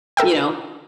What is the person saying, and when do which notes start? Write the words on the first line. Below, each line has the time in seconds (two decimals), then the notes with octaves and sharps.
you know
0.17 A4 A#4 E5 G5